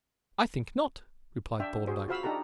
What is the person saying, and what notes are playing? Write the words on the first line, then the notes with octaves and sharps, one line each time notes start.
"I think not," replied Thorndyke.
D4 E5 G5
F#4 G#4 C5
F4 F#4 C5 F5 B5 E6
D4 D#4 G4 A4 A#5